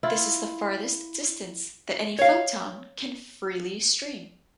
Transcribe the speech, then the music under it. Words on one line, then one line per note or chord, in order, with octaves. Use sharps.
This is the farthest distance that any photon can freely stream.
E4 F4
C#5 F5